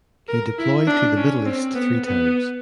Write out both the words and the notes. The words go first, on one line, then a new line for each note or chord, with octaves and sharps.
He deployed to the Middle East three times.
A#4
E4
D4
C#4
C4
B3
B3